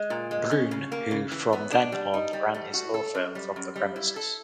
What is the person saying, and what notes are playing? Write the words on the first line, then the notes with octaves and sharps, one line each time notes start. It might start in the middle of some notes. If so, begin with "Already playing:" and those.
Bruun who from then on ran his law firm from the premises.
Already playing: G#3
A#2
G#3
C#4
C#3
A#3
C#3
E3
B3
D4
G3
D#4
G3
A3
F#4
A4
F#2
G3
F#2
G3
E4
A4